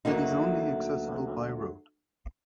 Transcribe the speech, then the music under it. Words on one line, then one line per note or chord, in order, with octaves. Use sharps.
It is only accessible by road.
D2 F#3 A3 A#3 D#4